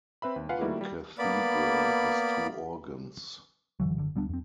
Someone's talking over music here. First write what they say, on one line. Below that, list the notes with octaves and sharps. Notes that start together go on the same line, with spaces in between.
The cathedral has two organs.
C4 B4 E5 B5
D#2
F4 B4 F5 F#5 G#5
D#3 G3 A3 A#3 E4 F#4
G3
A#3 B3 D5 B5
F#1 D3 E3 F#3
F#1 D3
D2 G3 B3 D4
F2 C4